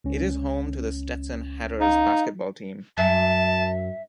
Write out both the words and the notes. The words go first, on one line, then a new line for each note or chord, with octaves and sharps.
It is home to the Stetson Hatters basketball team.
C#2 C#4
D#4 F5
F#2 E5 A5